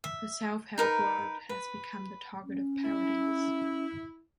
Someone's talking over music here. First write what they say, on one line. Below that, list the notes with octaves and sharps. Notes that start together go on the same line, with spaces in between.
The self-help world has become the target of parodies.
E5
D#4 A#4 B4
B4
C#4
E4